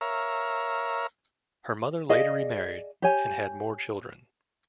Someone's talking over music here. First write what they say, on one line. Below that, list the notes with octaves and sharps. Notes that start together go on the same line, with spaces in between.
Her mother later re-married and had more children.
A#4 C#5 E5 F5 A#5
G#4 D5 D#5 F5
G4 C#5 G#5